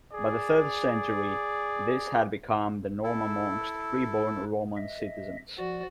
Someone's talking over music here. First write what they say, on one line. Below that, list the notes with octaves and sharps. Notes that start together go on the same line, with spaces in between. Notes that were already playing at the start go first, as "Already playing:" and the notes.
By the third century, this had become the norm amongst freeborn Roman citizens.
G#4 D5
E4 A4
D#5 E5
F3 F#4 D5